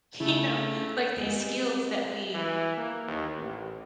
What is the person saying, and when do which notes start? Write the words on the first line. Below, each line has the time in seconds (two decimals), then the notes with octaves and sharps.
you know, like, these skills that we
0.20 C#3 A3 E4
1.17 G3 G#3 B3 C4
2.34 E3
2.77 A#3
3.07 D#2
3.38 A1